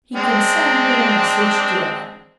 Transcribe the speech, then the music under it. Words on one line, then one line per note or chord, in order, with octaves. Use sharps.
He can send me a message there.
G#3 C4 D4